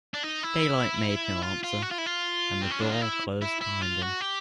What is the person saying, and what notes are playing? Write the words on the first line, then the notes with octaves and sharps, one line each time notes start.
Daylight made no answer, and the door closed behind him.
D4
D#4
E4
F4
F4
F#4
F4
E4
F4
C4
C#4
D4
D#4
E4
E4
E4
F4
F#4
G4